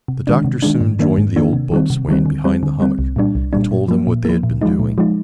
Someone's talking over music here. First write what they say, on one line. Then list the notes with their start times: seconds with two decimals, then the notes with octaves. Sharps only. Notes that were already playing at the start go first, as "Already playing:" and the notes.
The Doctor soon joined the old boatswain behind the hummock, and told him what they had been doing.
0.08 C3
0.27 D#3 G#3 D4
0.45 C3
0.62 D#3 G#3 D4
0.81 G#2
0.99 D#3 A#3 D4
1.18 G#2
1.36 D#3 A#3 D4
1.53 C3
1.72 D#3 G3 C4
1.90 C3
2.08 D#3 G3 C4
2.26 D3
2.45 G3 C4
2.63 D3
2.80 G3 C4
2.99 C2
3.16 A#2 G3 D4
3.35 C2
3.53 A#2 G3 D4
3.71 A#2
3.88 F3 A#3
4.07 A#2
4.25 F3 A#3
4.43 A#2
4.61 F3 G#3 D#4
4.80 A#2
4.98 F3 G#3 D#4